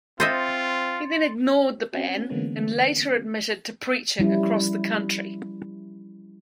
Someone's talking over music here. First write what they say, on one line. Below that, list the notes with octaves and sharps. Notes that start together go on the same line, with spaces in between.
He then ignored the ban, and later admitted to preaching across the country.
C4 F4 C5 D#5 E5 C6 A6 C#7
C4 C#4 F#4
D3 E3 G#3 A#3 B3 C#4
F3 G3 C#4 E4